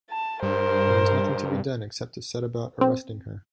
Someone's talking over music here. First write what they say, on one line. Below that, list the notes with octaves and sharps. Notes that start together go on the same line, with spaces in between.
There was nothing to be done except to set about arresting her.
A5
G2 A#4 C5
C4